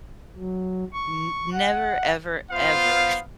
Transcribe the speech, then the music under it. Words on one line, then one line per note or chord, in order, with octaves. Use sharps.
n never ever, ever
F#3
C#6
F#5
B3 F4 C5 F5